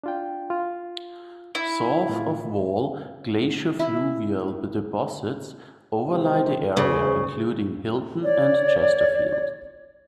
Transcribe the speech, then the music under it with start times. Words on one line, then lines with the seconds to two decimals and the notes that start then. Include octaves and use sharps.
South of Wall glaciofluvial deposits overlie the area including, Hilton and Chesterfield.
0.04 D4 F4 G5
0.50 F4
1.55 E4
2.09 A2 A3 F4
3.79 E4
6.09 C3 G#3 C5
6.76 D2 C#3 G#4 B4 C5
8.23 C#5 D5